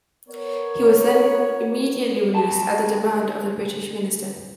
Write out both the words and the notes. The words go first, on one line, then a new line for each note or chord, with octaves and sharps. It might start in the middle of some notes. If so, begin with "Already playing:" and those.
He was then immediately released at the demand of the British minister.
B3 A#4 C#5
D2 A5